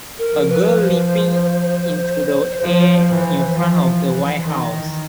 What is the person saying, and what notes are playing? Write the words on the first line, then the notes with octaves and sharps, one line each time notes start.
A girl leaping into the air in front of the White house.
A#4
F3
B4
C5
F3
E3
F3
E3
D#3